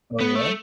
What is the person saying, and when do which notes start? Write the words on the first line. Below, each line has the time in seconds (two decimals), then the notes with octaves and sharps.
Oh, yeah?
0.20 B3
0.35 A3